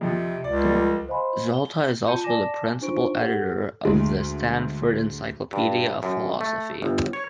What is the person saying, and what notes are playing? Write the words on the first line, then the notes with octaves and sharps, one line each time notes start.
Zalta is also the Principal Editor of the "Stanford Encyclopedia of Philosophy".
F2 C3 F3
C#2 D5
F3 G3 A3
C5 D#5 F5 G#5 B5 C6
G7
F4 A5 G6 C#7 D#7
D5 G#5 A5 D6 A#6 E7
D4 D#4 F4 C5 C#6 D7
G4 A4 F#5
D2 G#3
G2
F#2
A3
G1
C#5